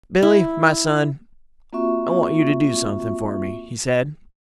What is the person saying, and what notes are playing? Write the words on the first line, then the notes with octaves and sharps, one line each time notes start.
"Billy, my son, I want you to do something for me," he said.
E4
A#3 C4 F4 F#4 E5 C#6